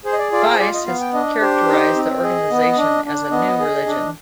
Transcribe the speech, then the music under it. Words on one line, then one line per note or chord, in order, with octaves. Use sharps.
"Vice" has characterized the organization as a "new religion".
G#4 C5
D#5
D5
F4 D5
F5
G5
C5
F4 D5
D#5
B3 F5
G5
D4 D#5
G4 C5
D#4
C4
G#4 D#5
B3
D4
D4
B3 D#5
G#4
D4